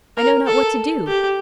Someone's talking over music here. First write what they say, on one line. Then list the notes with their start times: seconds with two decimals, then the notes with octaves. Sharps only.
I know not what to do.
0.17 A#4
0.47 A4
1.08 G4